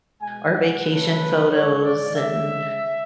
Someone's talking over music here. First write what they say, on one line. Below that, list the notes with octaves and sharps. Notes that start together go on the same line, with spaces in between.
our vacation photos and
B2 G#3 G#5
F#5
C#3 F#3 A3 B4
G#2 G#3 C#5
D5
C#3 G#3 E5